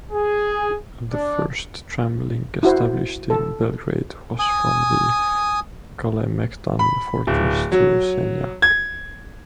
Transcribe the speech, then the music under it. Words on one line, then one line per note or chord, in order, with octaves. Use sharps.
The first tram link established in Belgrade was from the Kalemegdan fortress to Senjak.
G#4
D4
E4 F#4 C5
A4
G#5 D#6
B5
D1
F#3
G#6